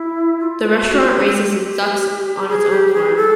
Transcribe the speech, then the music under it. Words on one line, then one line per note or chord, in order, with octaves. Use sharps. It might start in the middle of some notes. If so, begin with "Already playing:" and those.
The restaurant raises its ducks on its own farm.
Already playing: E4
F4
F4
F#4
G4
G#4
G4
G#4
A4